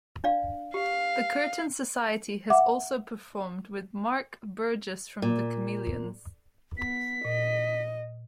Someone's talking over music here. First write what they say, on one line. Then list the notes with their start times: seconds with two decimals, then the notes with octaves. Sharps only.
The Curtain Society has also performed with Mark Burgess from The Chameleons.
0.24 D4 D5 F5
0.74 G4 F5
2.50 E5 F#5 D6
5.22 A#2
6.77 B3 B6
7.25 A#2 D#5